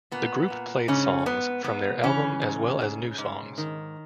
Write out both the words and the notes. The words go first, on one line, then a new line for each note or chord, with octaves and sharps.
The group played songs from their album as well as new songs.
A#2 B3
A#2
G#2 C#3 C#4
G#2 B3
G#2 B3
C#3 E3 C#4
G#2
G#2
G#2
D#3